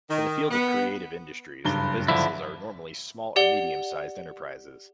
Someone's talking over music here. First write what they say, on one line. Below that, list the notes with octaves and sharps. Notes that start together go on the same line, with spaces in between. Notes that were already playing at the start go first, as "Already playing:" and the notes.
In the field of creative industries, the businesses are normally small or medium-sized enterprises.
D#3
B3
F#1 G2 G7
D3 F3 E4
G4 D5 F#5 G7